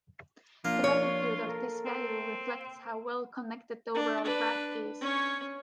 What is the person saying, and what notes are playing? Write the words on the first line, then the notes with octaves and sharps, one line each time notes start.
The magnitude of this value reflects how well connected the overall graph is.
F3 A#3 D4 F4
C#5
A4 A#4
C4
D4
D4 B4
C#4 C#5